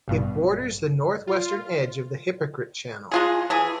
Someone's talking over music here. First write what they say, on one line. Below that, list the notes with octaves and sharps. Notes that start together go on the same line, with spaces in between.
It borders the northwestern edge of the Hypocrite Channel.
A1 G2 B2
F4
G#3 F4 G#4
E3 G#4